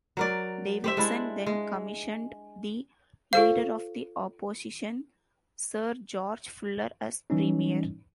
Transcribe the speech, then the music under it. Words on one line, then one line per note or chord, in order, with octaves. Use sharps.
Davidson then commissioned the Leader of the Opposition, Sir George Fuller, as Premier.
F#3 A#4 D5
G4 C5 E5
G#3 D4 E4
G#3
F4 A4 C5 F5
E3 G3 C#4 D#4